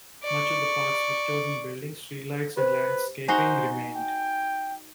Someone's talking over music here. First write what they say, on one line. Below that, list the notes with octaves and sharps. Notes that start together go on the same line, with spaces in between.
Much of the park's Victorian buildings, street lights and landscaping remained.
D5 C#6
G4 B4 C5
D#4 F#4 C5 G#5 C7 G7
G5